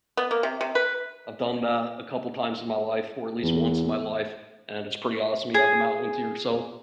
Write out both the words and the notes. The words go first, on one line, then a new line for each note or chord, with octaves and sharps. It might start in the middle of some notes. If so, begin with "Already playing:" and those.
I've done that a couple times in my life or at least once in my life, and it's pretty awesome. You have them out onto yourself.
B3
A#3
C3
C3
B4
E2
G#4